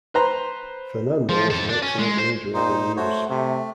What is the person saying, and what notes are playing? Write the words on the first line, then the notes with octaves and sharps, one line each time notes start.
Fernando was an excellent reader of the news.
B4 C5 A#5
F3
F2 A4
D4
C#4
G#3
C5
A#2 D#4 C5
A3 F#4 C5 C#5
C3 A3